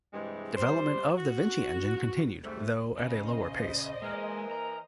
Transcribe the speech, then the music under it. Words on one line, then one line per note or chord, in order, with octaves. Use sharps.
Development of the Vinci engine continued, though at a lower pace.
G2 C3 E3 G#3
G3 C5
F#4
G#2 C3 G3 A3
C#3 C5 D#5
E3 G#3 A#3 A#4
A#5